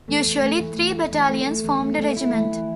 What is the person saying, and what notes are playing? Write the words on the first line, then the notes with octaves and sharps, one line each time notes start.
Usually, three battalions formed a regiment.
E2 A3
E2
A3
E3
E2
A3
E3
A3
A3
E2
A3
A3
A3 E4
E3
E3